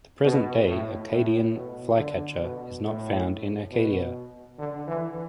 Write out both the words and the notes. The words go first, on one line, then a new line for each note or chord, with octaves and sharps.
The present-day "Acadian flycatcher" is not found in Acadia.
B2
A2
A2
B2
D3
B2
A2
B2
D3
E3